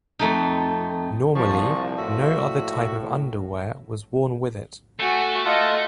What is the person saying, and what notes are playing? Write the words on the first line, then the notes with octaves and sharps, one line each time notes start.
Normally, no other type of underwear was worn with it.
F2 A3 D#4
C2 A#2 F3 A5 C#6
A2 F#4 E5
A3 F#4 G#5
F4 A4 D#5 F#5